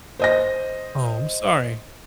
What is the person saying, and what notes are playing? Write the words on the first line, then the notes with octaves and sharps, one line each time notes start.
Oh, I'm sorry.
C5 D#5 A#6